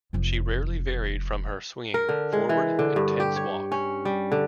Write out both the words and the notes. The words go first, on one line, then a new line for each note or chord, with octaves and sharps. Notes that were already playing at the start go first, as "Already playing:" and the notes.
She rarely varied from her swinging, forward, intense walk.
F1 F3
A#4
D3
G#3
E3
D3
G2
G4
C#5
C#4
G3
D3